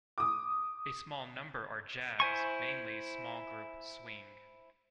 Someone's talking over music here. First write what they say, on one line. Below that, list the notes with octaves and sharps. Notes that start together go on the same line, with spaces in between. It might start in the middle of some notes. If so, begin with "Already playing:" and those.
A small number are jazz, mainly small group swing.
D6 D#6
E4 C5 G#5 C#6